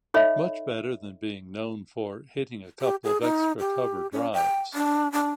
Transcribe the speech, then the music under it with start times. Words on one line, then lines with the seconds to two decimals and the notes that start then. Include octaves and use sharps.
Much better than being known for hitting a couple of extra-cover drives.
0.14 D#4 A4 C#5 D#5 E5 B5
2.81 G4
3.04 G#4
3.21 D#4
3.60 G4
4.12 C#4
4.33 G5
4.74 D4
5.12 D4